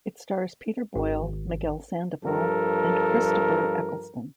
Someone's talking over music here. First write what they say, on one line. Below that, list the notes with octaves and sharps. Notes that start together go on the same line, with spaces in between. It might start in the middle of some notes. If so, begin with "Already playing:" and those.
It stars Peter Boyle, Miguel Sandoval and Christopher Eccleston.
G#1
G2 F3 A4 A#4